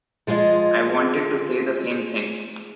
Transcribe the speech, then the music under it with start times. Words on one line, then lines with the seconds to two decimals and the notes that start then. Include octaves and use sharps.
I wanted to say the same thing.
0.27 F3 G#3 F4 G#4 D#5